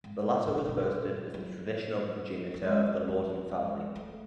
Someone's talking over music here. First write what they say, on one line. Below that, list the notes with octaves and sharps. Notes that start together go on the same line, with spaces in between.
The latter was boasted as the traditional progenitor of the Loredan family.
G#2
A2
B2
B2
D3
F#3
F#3
G#3
G#3
F#3
E3
G#3
A3